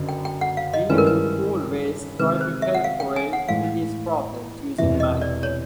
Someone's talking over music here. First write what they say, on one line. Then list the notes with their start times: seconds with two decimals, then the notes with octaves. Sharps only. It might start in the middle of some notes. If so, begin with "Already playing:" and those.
Jeannie would always try to help Corey with his problems, using magic.
Already playing: F#1 F#2 D3
0.09 G5
0.25 G5
0.41 F#5
0.57 F5
0.74 D#5
0.89 G2 D#3 G#3 C#4 E4 B4
0.98 A#4
1.07 B4
2.19 C3 D#3 G#3 B4
2.41 C5
2.62 E5
2.75 F#5
2.84 F5
3.00 G5
3.16 G#5
3.33 F#5
3.48 A2 E3 G#3 F5
4.78 E1 E2 C3 E3 E5
5.00 D#5
5.21 D5
5.43 C#5